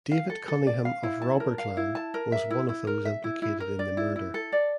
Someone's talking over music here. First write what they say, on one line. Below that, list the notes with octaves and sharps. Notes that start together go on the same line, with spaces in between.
David Cunningham of Robertland was one of those implicated in the murder.
F5
A4
A4
D5
F5
E4
A5
A#4
F5
E4
A5
A#4
E5
E4
E4
A#4
E5
E4
E4
A#4
D5
E4
E4
A4
D5